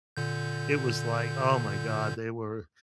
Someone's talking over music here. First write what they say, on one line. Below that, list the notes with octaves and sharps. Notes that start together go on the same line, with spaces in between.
it was like oh my god, they were
A#2 D3 G6